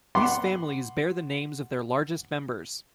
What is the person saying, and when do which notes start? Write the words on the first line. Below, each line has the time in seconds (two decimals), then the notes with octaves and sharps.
These families bear the names of their largest members.
0.15 F#5 B5 C6 D6